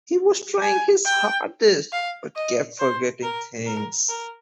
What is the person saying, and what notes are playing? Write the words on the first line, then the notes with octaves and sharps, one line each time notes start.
He was trying his hardest, but kept forgetting things.
G#5
G5
F5
D#5
C5
A#4
A#4
A#4